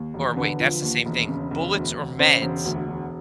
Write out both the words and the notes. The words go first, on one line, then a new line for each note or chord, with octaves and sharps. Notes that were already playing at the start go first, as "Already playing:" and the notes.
Or wait, that's the same thing bullets or meds.
Already playing: D#2
E1
D3 B4
F3
D#2
E1
C#3
E1
D2
E1
C#3 C5
E1
D2
E1